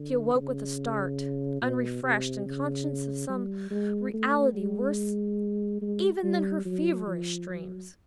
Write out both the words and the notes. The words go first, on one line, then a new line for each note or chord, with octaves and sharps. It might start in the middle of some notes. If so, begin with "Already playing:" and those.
She awoke with a start, unrefreshed, and conscious of some reality worse even than her feverish dreams.
Already playing: D3
C#3
B2
C3
C#3
G3
G#3
A3
G#3
G#3
G3
F#3
F3
F#3